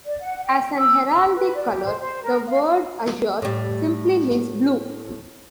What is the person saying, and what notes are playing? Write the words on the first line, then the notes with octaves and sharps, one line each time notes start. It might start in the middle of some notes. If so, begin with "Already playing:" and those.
As an heraldic colour, the word "azure" simply means "blue".
D5
F#5
G5
E6
E6
B4
D5
G4
C5
C5
A#4
F5
A2 G3